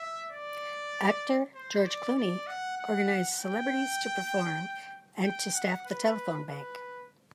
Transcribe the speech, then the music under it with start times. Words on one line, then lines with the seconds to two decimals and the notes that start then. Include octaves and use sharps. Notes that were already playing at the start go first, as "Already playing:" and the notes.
Actor George Clooney organized celebrities to perform and to staff the telephone bank.
Already playing: E5
0.32 D5
1.55 C5
1.85 D5
2.16 D5
2.47 F#5
2.78 F#5
3.39 G5
5.24 G5
5.54 F#5
5.86 B4
6.47 B4